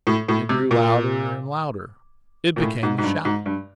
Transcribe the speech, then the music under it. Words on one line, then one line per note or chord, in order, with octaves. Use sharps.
It grew louder and louder--it became a shout.
A2
A2
C3
A#2
A#2
A2
G#2
G#2
G2
G#2
G2